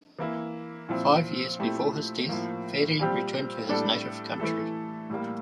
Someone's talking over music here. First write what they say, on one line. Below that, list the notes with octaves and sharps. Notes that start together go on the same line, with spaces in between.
Five years before his death Ferri returned to his native country.
E3 A#3 E4
A#2 F3 C4 E4
A#2 A3 C4 E4 G4
A2 F3 A#3
A#2 G3 C4 G4
A2 G3 D4 A4
E3 A3 E4 A4
A2 G3 A#3